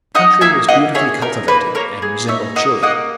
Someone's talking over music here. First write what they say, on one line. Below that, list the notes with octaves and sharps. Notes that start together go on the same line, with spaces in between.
The country was beautifully cultivated, and resembled Chile.
D#4 D#5 F#5
A#3 E5 G#5
A#3 D#5 F#5
G#4 C#5 E5
D#4 A#4
A#3 B4
A#3 A#4 C#5
G#4
D#4 C#5 E5
A#3 D#5 F#5
A#3 D#5 F#5